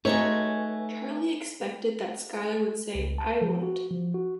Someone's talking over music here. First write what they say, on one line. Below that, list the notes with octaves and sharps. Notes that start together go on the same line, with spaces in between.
Charlie expected that Skylar would say, "I won't!"
G#3 A3 D#4 F#4 B4 C#5 G#5
C#2
A5
F3
F#4
F3
F#4